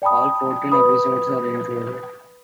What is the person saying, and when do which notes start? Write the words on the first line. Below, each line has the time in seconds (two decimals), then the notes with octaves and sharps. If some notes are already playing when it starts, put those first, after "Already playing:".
All fourteen episodes are included.
0.02 D5 G5 A5 B5 D#6
0.72 B4 B5 D#6